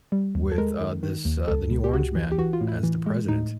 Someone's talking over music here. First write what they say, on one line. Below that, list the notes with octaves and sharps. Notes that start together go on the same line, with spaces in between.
with, uh, this uh, the new orange man as the president,
G3
D#2
A4
G#3 A#4
D#3
D#3
D#2
C#2 A4
C#2
G4
C#2 F#4
E3
G4
E3 F#4
F4
A2
E4
E3
G#3
A2 D#4